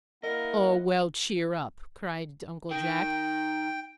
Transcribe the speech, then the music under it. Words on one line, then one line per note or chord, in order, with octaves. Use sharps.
"Oh, well, cheer up!" cried Uncle Jack.
A#3 E4 A#4 D#5 F#5
D#3 G5